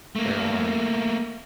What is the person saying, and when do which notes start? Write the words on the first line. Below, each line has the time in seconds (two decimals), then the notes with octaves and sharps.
They are.
0.16 A3 A#3